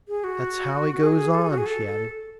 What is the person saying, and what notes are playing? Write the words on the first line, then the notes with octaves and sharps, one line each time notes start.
"That's how he goes on," she added.
G#4
F#4
G#4
A4
G#4
F#4
G#4
A4
A4